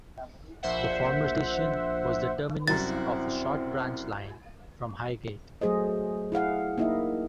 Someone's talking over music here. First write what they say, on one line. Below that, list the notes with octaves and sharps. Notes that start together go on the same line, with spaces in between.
The former station was the terminus of a short branch line from Highgate.
A#1 C5 E5 F#5
C2 F#2 C4 E4 F#4 A6
F#3 A3 G#4 C5 D#5
E4 G#4 F5 F#5
A#3 D#4 E4 D#5 E5